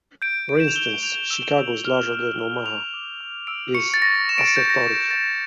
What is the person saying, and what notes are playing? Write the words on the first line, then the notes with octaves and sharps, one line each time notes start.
For instance, "Chicago is larger than Omaha" is assertoric.
G6 D7
C#6 D7
E7
F7
E6 G7
G6 F7
E6
E6
F6
F6
F6
F6 F7
D6
F6
E6 D7
C#6 C#7
A6
C#6 A#6
C#6 E7
D7
C#7
G6 D7
A#6
C#6
C#6 A6